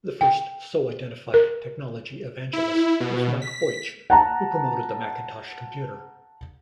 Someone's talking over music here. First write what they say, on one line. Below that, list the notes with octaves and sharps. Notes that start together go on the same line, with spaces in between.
The first so-identified technology evangelist was Mike Boich - who promoted the Macintosh computer.
G5
A#4
E4
B2
B6
F#5 A5 A#5